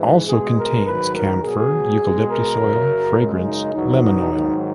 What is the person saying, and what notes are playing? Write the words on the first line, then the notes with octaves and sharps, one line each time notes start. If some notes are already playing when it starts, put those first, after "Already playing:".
"Also contains:" Camphor, eucalyptus oil, fragrance, lemon oil.
Already playing: G#2 E3
B2 G#3 G#4
A#4
G#2 D#3 F#3 B4
A#4
B2 F#3 G#4
B2 G#3
A#4
F#2 C#3 F#3
F#2 C#3 G#3
D#4
E2 B2 F#3 D#4
G#2 D#3 F#3